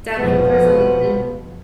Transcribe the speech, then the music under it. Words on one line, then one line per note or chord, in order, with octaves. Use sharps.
deadly prison is in
F1 B2 F3 B3